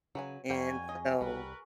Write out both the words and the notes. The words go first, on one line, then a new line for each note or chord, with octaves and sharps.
and so
C#3 F#3 B4 G#5
F2 F#3 G3 G5 G#5 B5
C#4 G#4 D#5
C2 G3 B3 A#4 B4